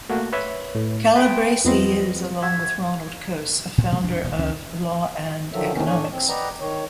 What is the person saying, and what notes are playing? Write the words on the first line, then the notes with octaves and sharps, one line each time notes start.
Calabresi is, along with Ronald Coase, a founder of law and economics.
A3 A#3 F#4
B4 C#5 E5
A2
G#4 B4 C5 G5 A5
F2 B3 C4 D#5
F#4 E5 G#6
A2
A#2 F#3 G#3 A#3
G1 F2 D4
D#1 D#2 B2
C#2 C#4
D3 D#3 F3 F#3 E5
D#2 C3 D#3 E3 B3 C#4
A2 D4 C#5 G#5
C4
B4 D5 D#5 F#5 G5 A#5
D#3 C#5